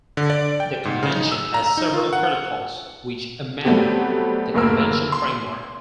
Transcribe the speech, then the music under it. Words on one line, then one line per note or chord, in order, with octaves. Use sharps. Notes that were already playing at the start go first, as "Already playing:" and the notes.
The Convention has several protocols, which amend the convention framework.
D3
D5
G5
G#2
C#3
D#4
E6
A#5
D#4
F4
F#5
F#3 G3 A3 B3 C4 G4
F#1 D2 A#3 A#4 E6
C6